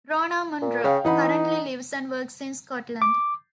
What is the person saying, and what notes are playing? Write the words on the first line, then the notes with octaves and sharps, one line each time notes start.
Rona Munro currently lives and works in Scotland.
A#2
C#3 C#5 F5 G5
E3 D#4 F#5 B5
D6